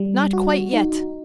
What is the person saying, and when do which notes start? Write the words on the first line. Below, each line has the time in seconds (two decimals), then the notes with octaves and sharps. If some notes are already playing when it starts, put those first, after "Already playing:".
Not quite yet.
Already playing: G3
0.33 F#4
0.73 D#4